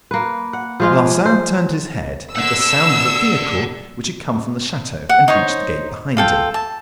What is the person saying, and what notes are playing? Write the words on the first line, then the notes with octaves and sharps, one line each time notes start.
Larsan turned his head at the sound of a vehicle which had come from the chateau and reached the gate behind him.
A#3 B4
F#5
F3 G#3 F4
C5
D5 F#5 E6
F#5
D#4 C5 C#5
F4 A4 G5
A5